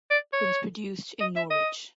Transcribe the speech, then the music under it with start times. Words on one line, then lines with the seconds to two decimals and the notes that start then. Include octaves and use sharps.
It was produced in Norwich.
0.11 D5
0.33 C#5
1.21 D#5
1.36 E5
1.51 D#5